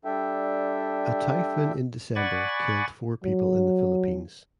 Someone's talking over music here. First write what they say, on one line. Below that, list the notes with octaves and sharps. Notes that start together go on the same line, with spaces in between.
A typhoon in December killed four people in the Philippines.
G3 D4 A4 E5 G5
D5 F#5 G#5 B5 C#6 A6
F#3